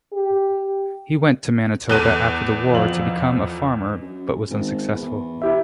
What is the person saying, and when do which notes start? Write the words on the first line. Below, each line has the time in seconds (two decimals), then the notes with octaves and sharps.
He went to Manitoba after the war to become a farmer, but was unsuccessful.
0.13 G4
1.89 E2 A4 F#6 D#7 G7
2.72 F2 F5 F#7
4.01 F#2
4.50 G#1
4.93 E2
5.42 E4 G4 E5